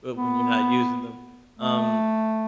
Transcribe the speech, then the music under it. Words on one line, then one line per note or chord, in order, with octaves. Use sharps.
But when you're not using them, um
B3
A3